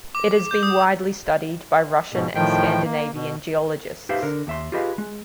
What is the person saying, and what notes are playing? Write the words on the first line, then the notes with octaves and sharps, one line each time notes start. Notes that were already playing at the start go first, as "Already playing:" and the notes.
It has been widely studied by Russian and Scandinavian geologists.
D6
G6
D#6
G#2 B2
A2 D#3 F3 G5
A#3
B2
D#4 G4 B4 C5 E5 F5
D3 A#4
D#2 E5 C6
F4 G4 G#4 B4 D#5 F5
G#3